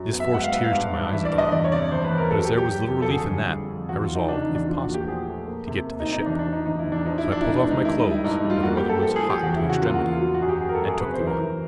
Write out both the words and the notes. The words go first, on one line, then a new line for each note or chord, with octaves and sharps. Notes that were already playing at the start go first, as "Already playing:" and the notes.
This forced tears to my eyes again; but as there was little relief in that, I resolved, if possible, to get to the ship; so I pulled off my clothes--for the weather was hot to extremity--and took the water.
Already playing: F#2
B3
E5
G#3 F#5
F5
B3 E5
F5
G2
G2
E3 E5
D5
G2
D#5
E2 D5
C#5
C3 D5
E2 C5
B4
E2
A#4
F#3 A4
G4
F#3
G4
F#3
F2
A4
D3 G#4
G3
F2
F2
E2 F#4
F4
E3
D#4
C#3 D4
D#4
E2
D4
F3 F4
F#4
A#2
G4
F3 G#4
A3
A#3
C3
A#3
D#4
C3
D#4
E2 D4
D4
F3
D#4
E2 D#4
E4
E2
D4
F3 D#4
E4
F3
D4
E4
B3 D#4
D4
G#3
D#4
D#3 E4
D#4
G3
E4
G2 D#4
G3
F4
A#3 F#4
G4
A#3
A4
F3 A4
G#4
F3
G4
E2 F#4
E4
C#3
F#4
A#3 F4
F#4
E2
F4
F#3 F4
F#4
F#2 G#4
G4
F#2 G#4
A#4
A4
F#2
G#4
C3 B4
C5
E3
A#4
E3